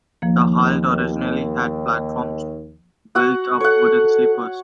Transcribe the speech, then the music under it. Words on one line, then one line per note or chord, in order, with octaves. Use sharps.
The halt originally had platforms built of wooden sleepers.
D#2 F3 A#3
F#4 F#5
A4 C#5 F#5